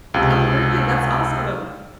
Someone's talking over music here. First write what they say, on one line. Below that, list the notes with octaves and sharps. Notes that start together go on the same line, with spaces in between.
Oh, really? That's awesome.
C#2 C3